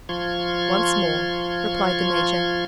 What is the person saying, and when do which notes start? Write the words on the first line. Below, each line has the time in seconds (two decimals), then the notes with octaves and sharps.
"Once more," replied the major.
0.09 F3 F4 C6 C#6 G#6